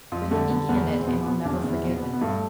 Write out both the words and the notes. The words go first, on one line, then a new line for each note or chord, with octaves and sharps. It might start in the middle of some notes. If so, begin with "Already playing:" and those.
But he began it, and I'll never forgive him.
F2 F4
D3 A3
D3 B3
E2 B3
E2 B3
C4
B2 B3
B2 B3
E2 D4
E2
E4
B2
B3
B2
B3
G2 A3